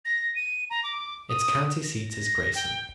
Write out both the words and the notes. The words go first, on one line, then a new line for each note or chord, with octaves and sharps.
Its county seat is Grayson.
A#6
D#7
A#5
D6
D#6
A#6
A#6
G5